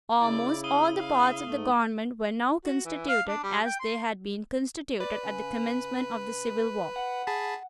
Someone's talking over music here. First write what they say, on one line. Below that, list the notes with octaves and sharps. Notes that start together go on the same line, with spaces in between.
Almost all the parts of the government were now constituted as they had been constituted at the commencement of the civil war.
C#3 E4 D5
F5 D#6 D#7 G7
F5
G#2 A3
F#4
E3
F5
D4
G3
G5
C6
B4 D5
C#3
F#5
G#4 A5 B5